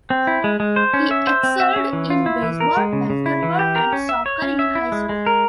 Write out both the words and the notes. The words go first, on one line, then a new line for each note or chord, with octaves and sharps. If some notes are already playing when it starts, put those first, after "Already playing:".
He excelled in baseball, basketball, and soccer in high school.
C4
E4
G#3
G#3
C5
C#4
E5
C5
C4
E5
C#4
E3
F4
E4
E3
A#4
G#3
C#3
C#3
E4
E3
G4
A#4
C#4
E5
C#5
C#4
E5
E4
G#3
G#3
A#4